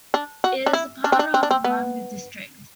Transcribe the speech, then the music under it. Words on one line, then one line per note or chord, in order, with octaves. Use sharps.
It is a part of Lamu District.
D4
F#4
D4
E4
D4
C4
D4
C4
D4
C4
B3